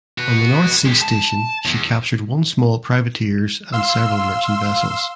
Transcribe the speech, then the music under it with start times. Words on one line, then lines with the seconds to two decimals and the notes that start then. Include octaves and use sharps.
On the North Sea station she captured one small privateers and several merchant vessels.
0.18 F#4 B4
0.86 G#3 G4
1.01 A5
1.66 E2
3.72 F5 C6 E6